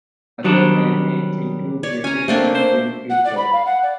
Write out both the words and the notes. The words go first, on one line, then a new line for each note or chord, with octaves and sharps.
Other brand names include Jezil and Gen-Fibro.
D#3 F#3 G3 D4
C#5 D5
C#4 G#5 A#5
A3 A#3 C4 D4
C5
F#5
D5
B5
F5
F#5
D5